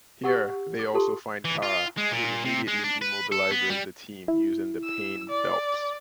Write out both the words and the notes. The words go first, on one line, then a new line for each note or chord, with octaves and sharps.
Here, they also find Kara, who immediately immobilizes the team using the pain belts.
G4 F#5 C#6 E6
D6
F4 G4 A4 A5 C6
E3
F4
G#3
A#2
C3
G#3
D4
B4
A4
B3
G3
E4
E6
D5